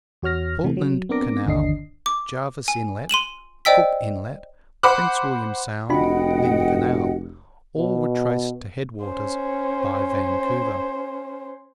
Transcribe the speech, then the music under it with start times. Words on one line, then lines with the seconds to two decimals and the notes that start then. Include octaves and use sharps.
Portland Canal, Jervis Inlet, Cook Inlet, Prince William Sound, Lynn Canal--all were traced to head-waters by Vancouver.
0.22 E2 F#4 C#5 F6 A#6
0.64 C3 E3 A3
0.77 F#3
1.09 B3 C4 D4 A#4 D6 A#6
1.46 G1 D#2 D3 D4 D#5 C7
2.06 D6
2.68 G#5
3.09 C6 D#7 E7 F#7
3.65 C5 D5 D#5 G5 E6 B6
4.83 C5 F#5 B5 D6 F#6
5.90 F1 D4 F4 F#4 D#5 F#5 G5 B5
7.77 B2
9.05 C#4 C5